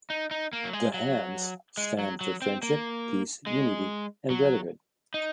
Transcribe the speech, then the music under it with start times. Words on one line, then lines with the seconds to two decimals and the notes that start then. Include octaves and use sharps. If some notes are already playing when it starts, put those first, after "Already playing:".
The hands stand for friendship, peace, unity, and brotherhood.
0.10 D#4
0.31 D#4
0.53 A#3
0.64 F#3
0.73 G#3
0.94 F#3
1.78 G#3
1.99 F#3
2.21 F#3
2.42 C4
2.63 A#3
3.47 G#3
4.30 F#3
5.14 D#4